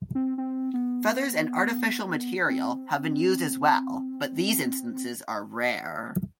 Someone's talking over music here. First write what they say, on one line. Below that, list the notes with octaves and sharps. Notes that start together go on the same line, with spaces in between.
Feathers and artificial material have been used as well, but these instances are rare.
C4
C4
B3
C4